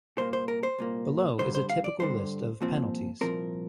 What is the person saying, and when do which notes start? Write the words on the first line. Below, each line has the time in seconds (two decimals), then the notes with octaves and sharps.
Below is a typical list of penalties.
0.17 C2 A#2 A#3 C5
0.33 C5
0.48 A#4
0.63 C5
0.78 C2 A#2 A#3
1.39 G2 D3 G3 C5
1.55 C5
1.69 F5
1.84 D5
2.00 G2 D3 G3 C5
2.61 C2 A#2 F3 C4
3.21 C2 A#2 F3 C4 A#4